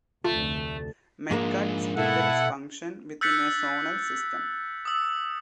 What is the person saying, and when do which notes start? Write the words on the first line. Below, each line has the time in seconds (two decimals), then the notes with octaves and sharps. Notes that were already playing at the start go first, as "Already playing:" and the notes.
Metcard tickets function within a zonal system.
0.24 F1 D2 A3 F4
1.31 G#2 F3 G#3 A#3 D4
1.97 B2 E4 A4 F#5
3.21 E6 F#6 G6 A6 B6 C#7
4.85 D#6 E6